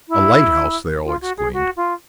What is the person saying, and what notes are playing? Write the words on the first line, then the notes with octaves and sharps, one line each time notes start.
"A lighthouse!" they all exclaimed.
E4
F4
F#4
G#4
F#4
F4